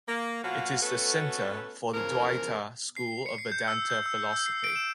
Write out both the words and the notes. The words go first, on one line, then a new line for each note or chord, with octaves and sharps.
It is the center for the Dwaitha school of Vedanta philosophy.
A#3
B2 F#3 A#3 F4 F#4
A3 B3 C#4 F#4 A4 B4
E2 C#3 F3 A#4
C7
C#7
C7
G6
E6
G6
E6
E6
C7
D7
E7